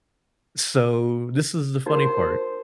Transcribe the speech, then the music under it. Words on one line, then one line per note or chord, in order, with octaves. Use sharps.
So, this is the funny part:
D#4 F#4 A#4 C5